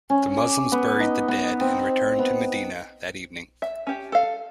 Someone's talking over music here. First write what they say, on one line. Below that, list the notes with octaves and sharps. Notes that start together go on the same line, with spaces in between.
The Muslims buried the dead and returned to Medina that evening.
C#4
D6
B3
D#4
B3
C4
B3
E5
C#4 G4
A4 F5